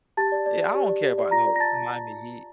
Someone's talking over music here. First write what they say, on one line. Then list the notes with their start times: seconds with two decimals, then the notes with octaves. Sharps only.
Yeah, I don't care about no Miami Heat.
0.17 G4 A5 A6
0.32 D5
0.46 D5
0.61 D5
0.75 G4
0.89 D5
1.03 G4
1.18 D5
1.31 F4 A#5 A#6
1.46 D5
1.56 A#6
1.60 D5 A5 A6